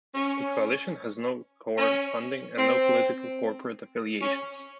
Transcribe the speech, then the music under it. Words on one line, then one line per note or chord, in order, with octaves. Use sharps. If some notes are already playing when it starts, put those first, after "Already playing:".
The Coalition has no core funding and no political or corporate affiliations.
C#4
C#4
C4
C#4